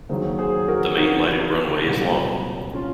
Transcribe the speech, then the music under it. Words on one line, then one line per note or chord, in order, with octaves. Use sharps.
The main lighted runway is long.
D#2 D#3 F#3 G#4 C5
G#4 C5
F#4 A#4
D#4 F#4
C2 A#2 F#3
C#4 F4